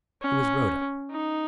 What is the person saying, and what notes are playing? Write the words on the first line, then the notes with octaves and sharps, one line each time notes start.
"Who is Rhoda?"
C#4
D#4